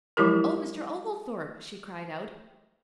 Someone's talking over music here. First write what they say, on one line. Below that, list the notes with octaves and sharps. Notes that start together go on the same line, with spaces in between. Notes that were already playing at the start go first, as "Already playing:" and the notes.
"Oh, Mr. Oglethorpe!" she cried out.
F3 F#3 G#3 E4 G4 A#4